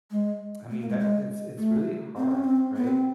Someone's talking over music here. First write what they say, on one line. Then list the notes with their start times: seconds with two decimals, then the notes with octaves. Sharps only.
I mean, that it's it's really hard, right?
0.11 G#3
0.70 A3
0.81 A#3
0.89 G#3
1.00 G#3
1.58 A3
2.17 C4
2.31 C#4
2.44 C4
2.76 B3
2.87 C4